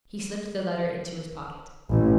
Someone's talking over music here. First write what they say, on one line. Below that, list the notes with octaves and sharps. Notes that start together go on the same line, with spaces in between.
He slipped the letter into his pocket.
A1